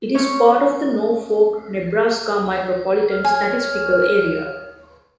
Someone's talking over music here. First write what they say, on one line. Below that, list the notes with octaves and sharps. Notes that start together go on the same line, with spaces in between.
It is part of the Norfolk, Nebraska Micropolitan Statistical Area.
C4 C#4 C#5
F6
C#5 G#5